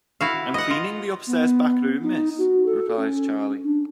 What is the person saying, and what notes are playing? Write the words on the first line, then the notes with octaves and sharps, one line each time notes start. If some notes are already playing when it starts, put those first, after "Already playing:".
"I'm cleaning the upstairs back room, miss," replies Charley.
E4 F#4 F5
D#5 F#5
F4
B3
D#4
F#4
A4
C#4
D4